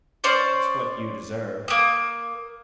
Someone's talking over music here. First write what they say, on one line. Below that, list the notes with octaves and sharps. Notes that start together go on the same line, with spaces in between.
"It's what you deserve."
C#4 C5 D5
A#3 D#6